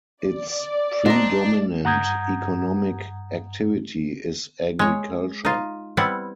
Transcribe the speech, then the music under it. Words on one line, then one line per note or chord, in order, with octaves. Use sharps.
Its predominant economic activity is agriculture.
D5
C4 D4 D#4 D#5
G2 F#5 A#5 D#6 G6 G#6
G#3 C#5
D#4 F4
G3 B3 C4 E4 F#5